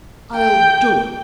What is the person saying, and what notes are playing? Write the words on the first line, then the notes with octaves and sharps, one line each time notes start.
I'll do it....
G5